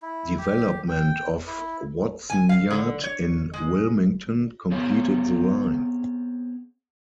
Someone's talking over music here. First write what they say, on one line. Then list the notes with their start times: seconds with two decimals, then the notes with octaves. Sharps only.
Development of Watson Yard in Wilmington completed the line.
0.02 E4
0.38 G4
0.88 G5
1.47 E4
2.30 G#5
2.49 F5
2.70 D3
3.04 C#5
3.53 G#3
4.71 B3 C4 G#4 C#5 F5